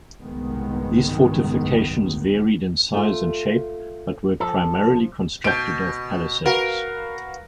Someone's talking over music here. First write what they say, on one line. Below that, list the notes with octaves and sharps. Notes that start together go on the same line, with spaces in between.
These fortifications varied in size and shape but were primarily constructed of palisades.
F#1 C2 G#2 D#3 G#3 B3
A3 F4
F3 A4
B2 G6 D7
F#4 A#4 B4 F5